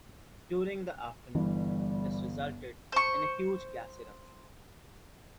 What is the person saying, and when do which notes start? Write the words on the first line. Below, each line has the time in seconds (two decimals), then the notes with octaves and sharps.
During the afternoon, this resulted in a huge gas eruption.
1.35 G1 E3 G3
2.92 C5 C#6